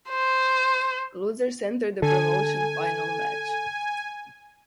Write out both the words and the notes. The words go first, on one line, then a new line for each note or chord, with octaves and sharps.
Losers enter the promotion final match.
C5
D3 A4 G#5